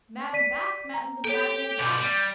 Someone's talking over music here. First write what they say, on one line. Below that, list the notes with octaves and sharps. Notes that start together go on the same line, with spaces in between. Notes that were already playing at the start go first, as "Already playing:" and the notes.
Madden back Madden's a maddening back.
D5 B6 D#7
A#5
G4 A4 C#5 G5
B2 D3 D6 G6
G3